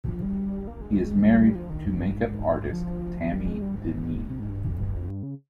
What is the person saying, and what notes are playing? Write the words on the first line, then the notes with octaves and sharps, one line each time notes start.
He is married to makeup artist Tammie Dineen.
F3
G3
A#3
G#3
G3
G3
F3
D#3
F2
G2
G#2
G#2
F3
G3
G#3
G3
G#2
C3
G#2
G2
F2
G2
F2
G2
C#3